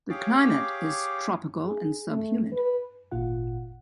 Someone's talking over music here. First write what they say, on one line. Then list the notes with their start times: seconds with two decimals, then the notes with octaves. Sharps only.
The climate is tropical and subhumid.
0.10 G4 G#4 C#5 F5 D6
1.66 G#4
2.09 A3
2.52 B4
3.11 G#1 A#2 F4 F#5